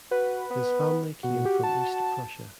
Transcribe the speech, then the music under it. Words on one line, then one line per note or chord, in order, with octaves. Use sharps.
His family came from East Prussia.
F#4 B4
B3
B2 F#4
G4
A5